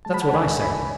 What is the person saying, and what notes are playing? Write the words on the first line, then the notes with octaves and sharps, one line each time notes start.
'That's what I say.
G#3 A5
B5
F#5 A5
C#2 G#5 B5
C#2 G#5 B5